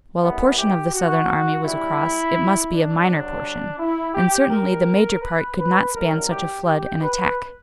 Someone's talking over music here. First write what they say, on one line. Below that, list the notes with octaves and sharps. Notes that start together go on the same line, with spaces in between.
While a portion of the Southern army was across it must be a minor portion, and certainly the major part could not span such a flood and attack.
F#2 E3 G3 B3
G4
F#4
G2 E3 G3 E4
D4
G2 D3 F#3
E4
G4
A#2 G3 A#4
B4
B4
F#2 E3 G3 A#4
G4
G4
B4